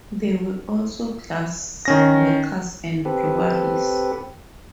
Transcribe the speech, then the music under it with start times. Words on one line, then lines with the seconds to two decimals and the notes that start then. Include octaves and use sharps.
There were also glass-works and breweries.
1.85 D#3 C#4 A#6
3.05 C4 G4 A4 B4